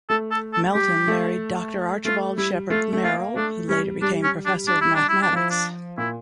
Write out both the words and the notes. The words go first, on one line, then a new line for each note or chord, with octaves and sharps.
Melton married Doctor Archibald Shepard Merrill who later became Professor of Mathematics.
A3 A4
A4
A4
G3 G4
A3
A3 F4
G3 E4
A3 F4
A3
A#3 F4
A3 D4
G3 C#4
G3 D4
C#4
D4
D4
E4
D4
E4
D4
F3 E4
D4
A#2 E4